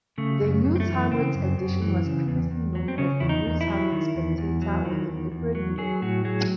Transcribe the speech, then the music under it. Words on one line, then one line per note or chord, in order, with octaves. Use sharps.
The Newtownards edition was previously known as the "Newtownards Spectator" with a different logo.
C#3 A3
F#2
F#2
C4
A3
E3
C#3 C4
F#2
F#2
E3
C#3
E2
E2
F#3
C4
C#3 C#4
E2 E4
D#4
E2
E4
F#3
D#3
E2
E2
F#3
D#3
E2
E2
F#3
F#3 G#4
A2 F#4
F#3 G#4